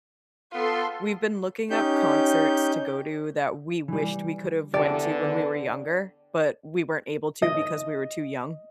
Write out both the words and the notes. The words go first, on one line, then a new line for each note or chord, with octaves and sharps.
we've been looking up concerts to go to that we wished we could have went to when we were younger, but we weren't able to because we were too young.
B3 F4 A4 C6
C#4 D#4 G4 G6
E3 G3
E2 D3 G4 A4 D5
D#5